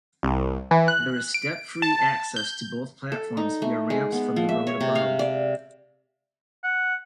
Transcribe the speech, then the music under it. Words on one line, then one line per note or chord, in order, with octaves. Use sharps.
There is step-free access to both platforms via ramps from the road above.
C2
E3
F#6
D7
A5
G6
A4
D#4
A3
G#3
B3
F3
E5
C#5
C3
F5
D5
F#5